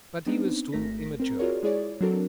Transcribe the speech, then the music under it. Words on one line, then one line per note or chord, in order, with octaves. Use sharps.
But he was still immature.
B3 C4 D4 D#4 B4
G#1 A3 A#4 A#6 B6
C4 A#4 A#5
F4 F#4 G#4 A#4 C#5 D5
G#3 E4 G#4 C#5 D5
F#3 C4 D4 F#4 A4 A#4